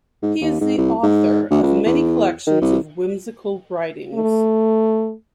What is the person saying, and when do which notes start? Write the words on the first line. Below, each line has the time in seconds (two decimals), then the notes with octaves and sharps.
He is the author of many collections of whimsical writings.
0.22 G#2
0.41 D#2
0.60 G#2
0.77 C2
1.03 G#2
1.50 D2
1.63 C#2
1.86 E2
2.47 D#3
2.61 C2
4.15 A3